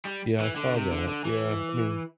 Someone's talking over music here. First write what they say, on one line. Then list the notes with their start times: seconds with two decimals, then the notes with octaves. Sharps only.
Yeah, I saw that. Yeah, I mean
0.05 G3
0.40 E3
0.56 D3
0.74 C3
0.91 D3
1.08 D3
1.25 E3